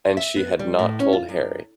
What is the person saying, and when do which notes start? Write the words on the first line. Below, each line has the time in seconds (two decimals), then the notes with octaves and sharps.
And she had not told Harry!
0.17 E5
0.36 B3
0.59 G3
0.79 A2
1.00 C#4
1.13 F4
1.29 F#2